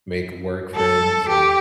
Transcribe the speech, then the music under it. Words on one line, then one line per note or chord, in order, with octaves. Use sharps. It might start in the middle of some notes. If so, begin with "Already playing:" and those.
make work friends, and
A4
G4